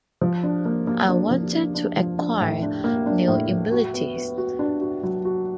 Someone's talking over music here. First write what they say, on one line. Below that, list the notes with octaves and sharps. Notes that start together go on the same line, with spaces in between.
I wanted to acquire new abilities.
F3
D4
A#3
A#3
D4
F3
D4
D4
F3
D4
A2
D4
A#3
D4
A2
A2
F#4
B3
B3
F#4
D4
F#4
F#3
F#4